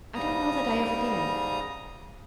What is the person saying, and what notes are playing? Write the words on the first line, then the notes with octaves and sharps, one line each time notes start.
"I don't know that I ever did."
G#2 C#3 G3 A#5 D#6